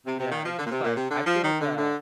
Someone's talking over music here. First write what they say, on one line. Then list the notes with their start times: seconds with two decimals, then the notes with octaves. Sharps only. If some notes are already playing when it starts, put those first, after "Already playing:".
Yeah, it just like I feel that
0.06 C3
0.19 C3
0.32 D#3
0.45 F3
0.58 D3
0.66 A#2
0.70 C3
0.83 A#2
0.96 C3
1.09 D3
1.26 F3
1.43 D#3
1.60 D3
1.77 D3